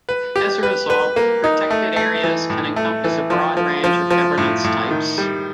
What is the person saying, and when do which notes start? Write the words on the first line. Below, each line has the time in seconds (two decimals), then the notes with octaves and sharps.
As a result, Protected Areas can encompass a broad range of governance types.
0.09 B4
0.36 G4
0.63 B4
0.90 B4
1.16 A#3
1.44 D#4
1.70 A3
1.96 A3
2.24 E3
2.50 A2
2.76 A3
3.04 E3
3.30 F3
3.57 F3
3.84 F3
4.11 F3
4.38 A2
4.64 A2
4.91 D#3
5.18 G3